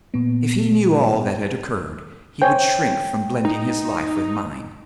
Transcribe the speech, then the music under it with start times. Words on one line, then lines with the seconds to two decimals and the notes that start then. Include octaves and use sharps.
'If he knew all that had occurred he would shrink from blending his life with mine.'
0.14 A#2 B3
2.42 C5 C#5 G5 G#5
3.45 D#4